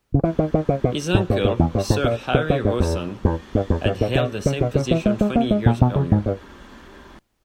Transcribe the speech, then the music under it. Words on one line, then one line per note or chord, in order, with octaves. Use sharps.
His uncle, Sir Harry Rawson, had held the same position twenty years earlier.
C#3
E3
D#3
D#3
C#3
B2
G#2
G2
G2
E2
G2
G#2
A#2
B2
C#3
G2
E2
E2
G2
E2
G2
G#2
B2
C#3
B2
C#3
E3
G#3
G#3
A#3
G#3
A#2
B2
C#3
G#2
G2